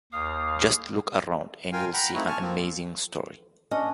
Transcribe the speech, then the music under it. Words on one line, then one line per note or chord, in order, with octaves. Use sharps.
Just look around and you’ll see an amazing story.
D#2 F5 D#6
F4 A#4 F5 G5 G#5
F#5 G5 A#5 B5
A3 A#3 C4 D#4 E4 F#4
G#5 A5 C#6 F6
F3 A#3 C4
C#4 D4 C#5 D#5